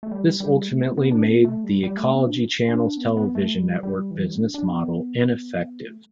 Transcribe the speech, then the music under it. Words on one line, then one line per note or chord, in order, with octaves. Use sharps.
This ultimately made The Ecology Channel's television network business model ineffective.
A3
G3
G3
A3
B3
B3
D4
B3
A3
G3
G3
A3
B3
D4
D4
B3
B3
A3
G3
G3
E3
G3
B3
D4
D4
B3
A3